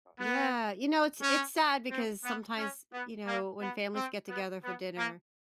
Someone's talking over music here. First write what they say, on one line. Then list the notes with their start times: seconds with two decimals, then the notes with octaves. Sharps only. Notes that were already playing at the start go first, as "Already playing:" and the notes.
Yeah, you know, it's it's sad because sometimes, you know, when families get together for dinner,
0.19 B3
1.22 C#4
1.91 C4
2.25 B3
2.58 C#4
2.93 B3
3.27 A#3
3.61 B3
3.95 C4
4.30 B3
4.64 B3
4.98 A#3